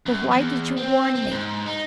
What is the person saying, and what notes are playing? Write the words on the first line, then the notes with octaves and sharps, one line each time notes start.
But why did you warn me?
F#2
E2
C4
C4
G#2
D#4